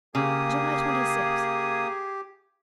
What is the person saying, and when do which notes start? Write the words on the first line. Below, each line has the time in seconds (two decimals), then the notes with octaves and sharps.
July Twenty-sixth.
0.15 C#3 A#3 G4 G#4 D#6